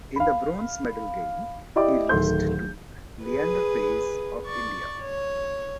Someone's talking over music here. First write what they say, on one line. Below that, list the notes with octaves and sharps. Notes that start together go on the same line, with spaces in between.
In the Bronze medal game, he lost to Leander Paes of India.
F5 B5
E4 G4 D5 D#5 G5 D6
D1 D#3 A3 C6 G6
G#4 B4
D5 C#6
C#5